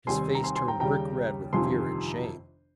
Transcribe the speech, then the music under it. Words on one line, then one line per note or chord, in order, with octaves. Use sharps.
His face turned brick-red with fear and shame.
F1 D#2 D#3 G3 C4 G#5 C6
A#5
G#5 C6
G#5 C6
G5 A#5
D#2 C#3 G3 G5 A#5
G1 F2 C3 D#3 G#5 C6